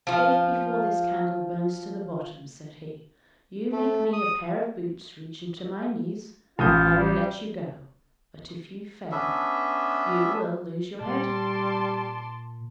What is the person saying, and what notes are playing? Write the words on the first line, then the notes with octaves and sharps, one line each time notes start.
"If, before this candle burns to the bottom," said he, "you make me a pair of boots reaching to my knees, I will let you go; but if you fail, you will lose your head."
F3 F4
A3
D#6
A1 F4 D#6 G6
G3
B3 C#4 D4 E5
A#2 G3 A5 C6 D6